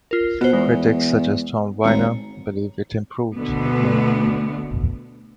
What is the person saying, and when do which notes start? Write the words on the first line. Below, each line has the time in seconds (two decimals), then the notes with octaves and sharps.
Critics such as Tom Wiener believe it improved the film.
0.11 F4 A#4
0.41 B2 B3 C5
0.53 E2 G#3
1.84 G#1 C#5 A#5
3.37 D2 B2 D3 A3 B3